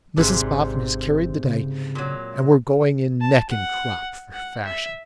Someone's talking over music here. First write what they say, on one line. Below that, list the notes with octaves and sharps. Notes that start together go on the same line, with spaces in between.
Mrs Boffin has carried the day, and we're going in neck and crop for Fashion.'
G#1 G#2 C3 D4
C#3
A#2 F#3
A5
F#5
F#5
E5